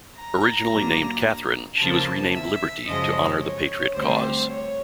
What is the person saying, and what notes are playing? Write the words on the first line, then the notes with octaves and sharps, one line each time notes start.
Originally named Katherine, she was renamed "Liberty" to honor the patriot cause.
A#5
A#2 F#3 A#3 D4
C#3 F3 A#3 A5
E5
F#2 C#3 F3 G#3 D#5
C#5
D2 D3 G3 C4 C5
C#5